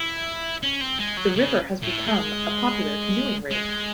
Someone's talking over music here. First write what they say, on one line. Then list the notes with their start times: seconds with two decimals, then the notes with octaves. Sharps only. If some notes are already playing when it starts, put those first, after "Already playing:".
The river has become a popular canoeing route.
Already playing: E4
0.63 C#4
0.81 C4
0.99 G#3
1.17 F#3
1.35 C#3
1.83 A2
2.06 G#3
3.51 G#3